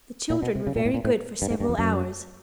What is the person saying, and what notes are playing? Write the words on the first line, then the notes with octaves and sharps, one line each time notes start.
The children were very good for several hours.
A#2
B2
C3
C#3
A#2
A2
A#2
A2
G2
G#2
G2
F2
F#2